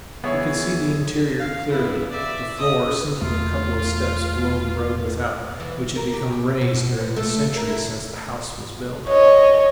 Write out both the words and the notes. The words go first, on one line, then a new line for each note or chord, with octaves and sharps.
He could see the interior clearly--the floor sinking a couple of steps below the road without, which had become raised during the centuries since the house was built.
E3 B3 E4 G#4 C#5
F5
B3 E4
D5 E5
D#5 D#6
E2 A3 F4
E3
A#4
G4
B2
B3
A3
A#4
E4
C#5 D#5